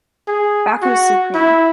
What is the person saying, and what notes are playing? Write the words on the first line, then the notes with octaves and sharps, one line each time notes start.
Bathos supreme.
G#4
F#4
E4